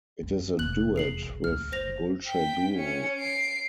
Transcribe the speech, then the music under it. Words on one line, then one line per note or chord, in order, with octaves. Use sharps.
It is a duet with Gulce Duru.
F#2
F1 E2 F#6 F#7
G#4 C7 F#7
B1
D#1 D2 F6
F#1 C5 A#6 F7
G5 B6
C#4 C#7
C7 D7